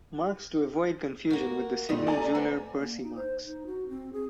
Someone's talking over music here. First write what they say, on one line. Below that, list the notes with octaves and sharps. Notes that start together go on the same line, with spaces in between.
Marks to avoid confusion with the Sydney jeweller Percy Marks.
A#3 F#4
D2 A#2 G3 A3 D#4
D5 G#5 A#5
A3 B3 C4
A#3
D#4
C5
D#4
F#4
C4
G#4